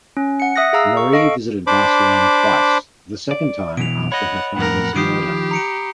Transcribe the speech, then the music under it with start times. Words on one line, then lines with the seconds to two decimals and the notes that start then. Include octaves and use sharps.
Marie visited Barcelona twice, the second time after her father's murder.
0.17 C#4
0.40 F#5 C#7
0.56 E5 D#6 F#6 A#6
0.73 G#4 F5 A#5 E6
0.97 C#6
1.13 A4 D#5 F5 C#6 D7
1.67 D4 C5 B5 D6
3.31 D5
3.77 B2 E3 D7 F7
4.12 C#5 D#5 F#5 B5
4.56 F2 A2 A#4 F#5
4.96 D#3 F3 G4 D#6 C7 D7
5.51 A#5 C#7 D7